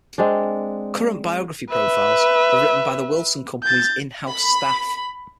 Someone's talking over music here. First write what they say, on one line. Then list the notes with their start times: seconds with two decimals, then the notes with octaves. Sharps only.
"Current Biography" profiles are written by the Wilson Company's in-house staff.
0.18 G#3 C4 D4
1.70 B4 E5
3.63 G6 A6
4.31 B5